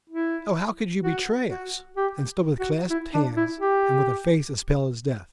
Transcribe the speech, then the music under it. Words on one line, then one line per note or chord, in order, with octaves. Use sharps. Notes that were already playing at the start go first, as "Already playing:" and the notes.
"Oh, how could you betray us!" and stood with clasped hands, and with face as pale as death.
E4
F#4
F#4
G4
F#4
E4
D4
E4
G4